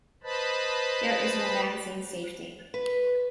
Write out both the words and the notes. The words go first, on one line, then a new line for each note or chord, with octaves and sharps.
There is no magazine safety.
B4 C5 D#5 A5 B5
B4